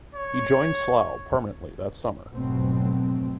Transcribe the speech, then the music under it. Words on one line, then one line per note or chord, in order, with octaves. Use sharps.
He joined Slough permanently that summer.
C#5
F1 G#2 B2 F#3 A3 C4